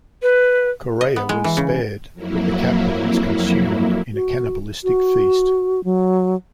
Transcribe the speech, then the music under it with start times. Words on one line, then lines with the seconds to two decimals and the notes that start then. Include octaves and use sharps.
Correia was spared but the captain was consumed in a cannibalistic feast.
0.22 B4
1.01 D#5
1.16 B3
1.29 G#3
1.44 E3
1.57 C#3
2.13 F2 F#3 A#3 E4
4.14 F#4
4.84 F#4
5.84 F#3